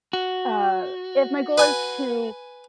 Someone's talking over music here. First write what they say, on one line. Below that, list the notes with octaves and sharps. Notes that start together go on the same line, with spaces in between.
uh, if my goal is to
F#4
B4 G#5